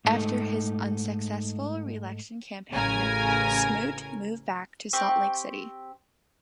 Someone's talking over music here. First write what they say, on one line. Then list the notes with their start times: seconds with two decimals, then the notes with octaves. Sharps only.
After his unsuccessful reelection campaign, Smoot moved back to Salt Lake City.
0.05 G#2 A3 D#4 A4
2.71 A1 C#3 A#4 G#5
4.93 C4 G4 C#6